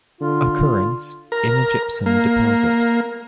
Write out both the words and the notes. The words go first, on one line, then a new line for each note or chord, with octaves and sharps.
Occurrence - In a gypsum deposit.
D3 F4
A#4
A#3